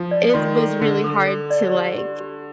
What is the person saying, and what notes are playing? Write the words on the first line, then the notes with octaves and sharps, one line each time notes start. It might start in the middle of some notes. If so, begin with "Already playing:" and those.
it was really hard to, like,
Already playing: F3
D5
D#3 C6
A4
D3 C6
A4
A4
D5
G4
G4
G4